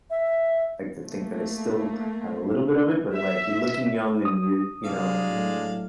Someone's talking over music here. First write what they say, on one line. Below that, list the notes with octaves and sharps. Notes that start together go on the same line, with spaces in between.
like to think that I still have a little bit of it, but, like, you're looking young and you're, you know,
E5
A3 A#3
E5
D#6
C2 F#3 G#3 D4 F5
A2